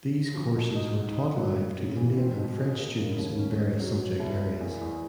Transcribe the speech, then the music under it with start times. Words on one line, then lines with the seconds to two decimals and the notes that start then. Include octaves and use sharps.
These courses were taught live to Indian and French students in various subject areas.
0.14 C#3
0.34 F3
0.55 B2
0.75 D#4
0.95 D#4
1.16 D#4
1.36 F#3
1.57 F#3
1.77 C#3
1.97 E3
2.17 C4
2.37 B2
2.58 G#4
2.78 A#3
2.98 C#3
3.18 D#2
3.39 C#4
3.59 G#3
3.79 F#3
3.99 F#3
4.20 C2
4.40 A#3
4.60 E2
4.81 E2